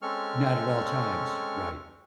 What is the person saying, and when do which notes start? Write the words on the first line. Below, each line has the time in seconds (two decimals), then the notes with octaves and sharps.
Not at all times, right.
0.02 G#3 C4 C#4 A4 C#6 F6